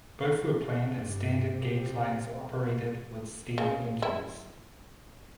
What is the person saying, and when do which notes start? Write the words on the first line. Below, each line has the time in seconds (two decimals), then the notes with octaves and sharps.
Both were planned as standard gauge lines operated with steam engines.
0.96 G2
1.47 C3
3.58 C#3
4.02 E4